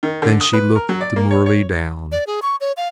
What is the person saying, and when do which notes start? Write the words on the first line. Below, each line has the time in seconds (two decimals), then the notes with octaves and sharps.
Then she looked demurely down.
0.03 D#3
0.22 D3
0.41 D#6
0.53 B4
0.75 A#4
0.89 F#3
1.01 D5
1.16 A#3
1.31 C#5
1.46 C#5
2.12 D5
2.27 G#4
2.42 C#6
2.61 C#5
2.77 F5